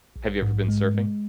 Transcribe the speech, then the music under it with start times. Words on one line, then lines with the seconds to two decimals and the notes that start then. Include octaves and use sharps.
Have you ever been surfing?
0.16 A#1
0.42 G#2
0.68 G#3
0.94 G#3